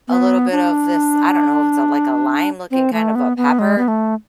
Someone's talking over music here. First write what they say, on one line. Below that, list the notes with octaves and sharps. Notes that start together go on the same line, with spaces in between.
a little bit of this I don't know if it's a like a lime-looking kind of a pepper.
B3
D4
C4
A3
B3
B3
G#3
B3
A3